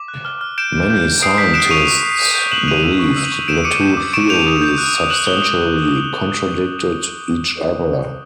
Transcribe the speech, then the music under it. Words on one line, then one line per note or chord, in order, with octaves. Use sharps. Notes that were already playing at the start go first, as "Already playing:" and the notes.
Many scientists believed the two theories substantially contradicted each other.
Already playing: D6
F#6
F6
F6
G6 D7 E7
G6
G6
G6
D#6 C7 D7
G6 B6
F#6 D7 E7
C#6 D#7 F7
C#6
C#6
G6
G6
F#6 E7 F#7
F#6 D#7 F7
E6
C#6
E6
C#6
G6 D7 E7
D6 C#7 D#7
G6
D6
C#6 D7 E7
G6 D#7 F7
D#6
G6
F#6
D#6
F#6 E7 F#7
F#6 F7 G7